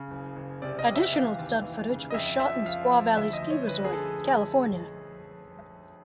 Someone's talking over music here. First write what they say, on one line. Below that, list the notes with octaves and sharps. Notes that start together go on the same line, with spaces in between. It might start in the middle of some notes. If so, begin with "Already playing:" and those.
Additional stunt footage was shot in Squaw Valley Ski Resort, California.
Already playing: C#3
F#1
F#1
C3 D5
D#5
C3
E5
E3 F5
D#2
E3
C#3
D#5
F2 E5
F3 E5
F3 F5
F3
D2 E5
D#5
F3
C#5
D2 B4
G#4
D3 A4